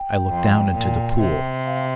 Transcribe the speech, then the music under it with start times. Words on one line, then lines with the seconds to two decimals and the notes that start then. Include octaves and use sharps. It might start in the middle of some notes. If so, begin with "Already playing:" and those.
I looked down into the pool.
Already playing: G5
0.29 F2
0.74 A#2
1.20 C3
1.66 F5